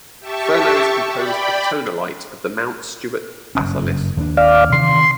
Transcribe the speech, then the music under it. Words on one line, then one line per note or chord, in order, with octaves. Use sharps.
Fernow is composed of tonalite of the Mount Stuart batholith.
G4 E5 A5 C#6
D5 G5 B5
F#1 G2 C#4
D#2 D4
D5 F5
C3 D#3 E3 C6